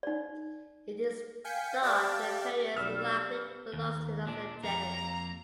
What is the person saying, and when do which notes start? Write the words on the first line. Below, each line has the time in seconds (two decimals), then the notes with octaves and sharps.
It is dark in appearance and likely belongs to another genus.
0.03 D#4 D5
1.44 F5 G5 G#5 G6 B6 C#7
1.82 G4 D5 E5 F5 G5 A5
2.77 B1 G3 E6 F6
3.73 D#2
4.27 A#2 D4
4.64 F2 A#3 A#5